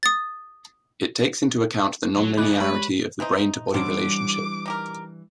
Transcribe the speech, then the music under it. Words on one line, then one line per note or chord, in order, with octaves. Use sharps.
It takes into account the nonlinearity of the brain-to-body relationship.
D#6 A6
F#3 A#5 C6
D3 F4 G#4 D#5 E5 B5 D6 F#6
G#3 D4 G4 B4 C#5 A#5
E3 C4 D#4
D#3 E3 F#3 G3 C4 D4 D6
D#4 G4 A#4